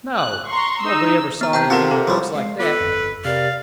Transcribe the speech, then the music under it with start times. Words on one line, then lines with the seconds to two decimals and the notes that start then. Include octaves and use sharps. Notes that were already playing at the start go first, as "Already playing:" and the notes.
No; nobody ever saw anything in the books like that.
0.17 F#6
0.50 A#5 C6 C#6
0.85 D#4 E6
1.41 B3 A#5
1.53 C3 G5 A5 A#5 G6
1.70 C4 F4 F#4 A4 A#4
1.91 A4 F5 A#5 C6
2.07 F3 G3 E4 B4 C#5
2.35 G#3 F5
2.59 B3 F4 A4 B4 D6
2.80 G1 F2
3.25 C3 G4 A#4 D5 F5